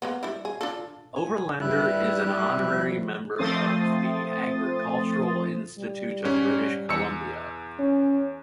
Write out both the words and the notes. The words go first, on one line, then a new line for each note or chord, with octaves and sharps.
Oberlander is an honorary member of the Architectural Institute of British Columbia.
G#3 A#3 B3
G3 D4 E4
G#4
D4 F4 A4
G#5
G2 G3 E4 E5 F#6
F3
F3 A3 C4 C6 D#6 A6
G3
G#2 C#4
E2 E6 C#7
C#4